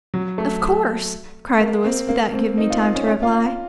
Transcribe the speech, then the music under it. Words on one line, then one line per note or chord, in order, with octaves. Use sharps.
"Of course," cried Louis, without giving me time to reply.
F#3
A3
A#3
C4
A#3
C4
D#4
F4
F4
C#4
C#4
F4